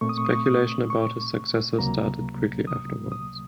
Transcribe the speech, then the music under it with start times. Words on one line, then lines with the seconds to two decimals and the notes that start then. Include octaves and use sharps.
Speculation about his successor started quickly afterwards.
0.01 A#2 A3 C4 C#6
0.09 D#6
0.18 C#6
0.25 D#6
0.32 C#6
0.46 D#6
0.90 C#6
1.79 C#2 C3 F#3 A#3 A#5
2.67 D#6
3.12 D#6